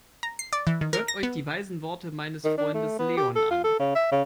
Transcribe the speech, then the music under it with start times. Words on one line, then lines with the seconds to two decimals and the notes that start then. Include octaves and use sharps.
Hört euch die weisen Worte meines Freundes Leon an!
0.23 A#5
0.39 C7
0.53 D5
0.67 E3
0.81 D#3
0.93 A#4
1.08 A#6
1.23 B3
2.45 D#3
2.58 D4
2.74 A3
2.99 B3
3.17 G4
3.36 A4
3.50 F4
3.64 A4
3.79 C#3
3.95 E5
4.12 C#3